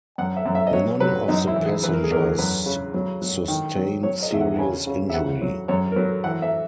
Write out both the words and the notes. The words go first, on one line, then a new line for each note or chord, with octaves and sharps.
None of the passengers sustained serious injury.
F#2 F#5
E5
F#2
E5
D#5
F#3 C#5
F#3 B4
F#2 D#4
E4
E3
G#4
E3 B4
A#4
G#4
E2 A#4
F#2 B4
C#3
F#3
F#3
D#3
F#3
F#3 C#5
D#5
E2 E5
F#5
F#5
C#3 G#5
C#3
E5
E2 F#5
F#3
F#2 C#5
A#4
F#3 B4
E3 F#5
E5